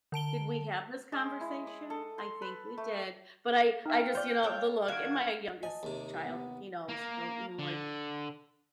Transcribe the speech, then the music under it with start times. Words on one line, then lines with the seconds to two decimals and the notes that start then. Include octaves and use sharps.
"Did we have this conversation? I think we did," but I I just you know, the look and my youngest child, he knows, he'll he'll, like
0.12 D3 A5 D7 G7
1.12 G#3
1.41 E4
1.67 D#6
1.90 A4
2.18 C6
2.42 B4
2.78 A3
3.86 D#4 E5 F5 G5 F6
4.15 F4 C5 D5 G6
4.43 F4 C#5 D6 E6 F#6
4.88 D#3 D4 F#4 F5 F6 G#6 D7
5.63 D#5 G#5 A5
5.83 D#2 C3
6.24 B3
6.89 A#3
7.59 D3